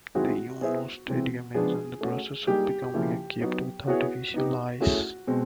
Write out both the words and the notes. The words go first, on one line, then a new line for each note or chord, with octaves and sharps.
The Yunost' Stadium is in the process of becoming equipped with artificial ice.
D#3 G#3 C4 E4 F#4 G#4
B3 E4 G#4 C5 E5
C3 E3 G#3 C4
F3 G#3 B3 D4 G#4
A3 C#4 F#4
G3 A#3 D#4 G4 G#4
C#3 F3 A#3 C#4 E4
F#3 B3 D#4 F#4
B3 E4 F#4 G#4 C#5
B3 D#4 G4
A3 C#4 E4 F#4 G#4
B2 G#3 C4